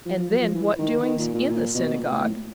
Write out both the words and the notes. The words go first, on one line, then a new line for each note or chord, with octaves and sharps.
And then what doings in the synagogue!
F3
F3
F#3
F3
E3
D#3
D#3
A#2
A#2
A#2
B2
B2
A#2
A2
A2